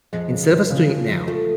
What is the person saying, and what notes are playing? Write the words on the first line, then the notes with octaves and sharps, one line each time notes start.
Instead of us doing it now,
F2 G#3
C#3
F2
C#3
F3
F2
F3 A3